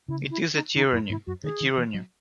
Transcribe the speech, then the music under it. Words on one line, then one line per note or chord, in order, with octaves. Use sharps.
It is a tyranny — a tyranny.
C#3 E4
E4
D#4
D#3 D#4
F#2 E4
G#2 E4
F#2 F#4
D#3 G#4
D#3
E3
F#3